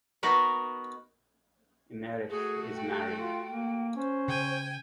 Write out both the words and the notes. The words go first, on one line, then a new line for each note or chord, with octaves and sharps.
Emmerich is married.
B3 D#4 F#4 A#4 B4
A3 F#4 G#4
G5
F4
A#3
C#4 C5
C#3 G5 G#5